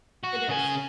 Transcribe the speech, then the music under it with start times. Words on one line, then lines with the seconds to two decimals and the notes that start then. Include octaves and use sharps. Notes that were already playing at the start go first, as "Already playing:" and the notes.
It is.
0.23 F#4
0.49 C#3 G#5